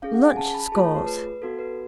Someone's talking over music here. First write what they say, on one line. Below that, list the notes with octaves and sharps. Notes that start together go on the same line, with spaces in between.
Lunch scores.
C#4 G#4 F5
F#5
G#5
A5
B5
A3 F4 G#4 A5
C#5
B4
B4
B3 F#4 A4
B4